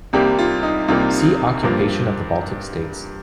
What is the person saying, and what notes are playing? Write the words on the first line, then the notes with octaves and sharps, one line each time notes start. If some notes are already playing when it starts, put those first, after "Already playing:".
See Occupation of the Baltic states.
C2 C3 G3 A#3 G4
F4
D#4
C2 C3 G3 A#3 F4
G2 F3 A#3